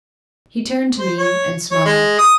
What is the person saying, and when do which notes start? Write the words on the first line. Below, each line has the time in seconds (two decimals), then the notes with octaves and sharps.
He turned to me and smiled.
0.99 C5
1.18 C#5
1.71 C#5
1.85 G#3
2.19 D#6